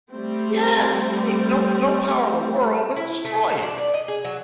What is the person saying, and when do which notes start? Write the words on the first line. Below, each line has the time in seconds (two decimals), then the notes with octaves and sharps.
yes, w don't don't power the world, let's destroy it,
0.11 G3 A3 C4
2.96 E4
3.25 A3
3.49 D#4
3.62 D4
3.78 D5
3.94 D#5
4.08 G#4
4.25 F#3